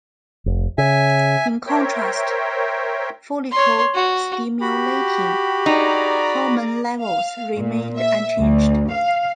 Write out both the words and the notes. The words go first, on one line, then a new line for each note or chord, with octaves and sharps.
In contrast, follicle-stimulating hormone levels remained unchanged.
F1
C#3 E5 G#5
A#4 C5 C#5 E5 G5
C#5 C6
F#4
F#4 G4 B5
D#4 G#4 D5 A#5
F5
A#2
E5
D2
F5